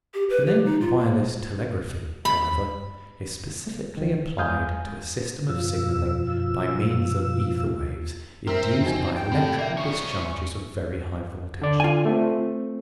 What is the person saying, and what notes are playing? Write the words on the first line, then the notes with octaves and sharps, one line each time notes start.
The name "Wireless Telegraphy," however, is specifically applied to a system of signaling by means of ether-waves induced by electrical discharges of very high voltage.
G4
B4
G4
D#4
F4
A#3
B5
C#2 D#3
F#2 G#3 F5 G#5 D#6 G6
F#2 B2 F3 F4 E6
C4 A#4 E5
F2 D#4 F#4 G#5
G5
A2 C3 A4
A#3 D5 E5
F3 C#4 C#6
D3 D5
F4 G#5
A3 C4